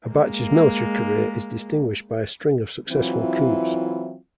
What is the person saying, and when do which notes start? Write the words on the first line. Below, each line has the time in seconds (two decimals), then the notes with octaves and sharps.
Abacha's military career is distinguished by a string of successful coups.
0.11 G#3 A#3
2.90 E3 F#3 C4 E4 F4